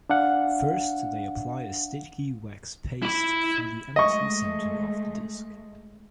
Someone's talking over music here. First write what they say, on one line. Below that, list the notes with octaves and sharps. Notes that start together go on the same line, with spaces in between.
First they apply a sticky wax paste through the empty centre of the disc.
D4 F5 F#5
E4 B5
G#3 A3 D#5 C#6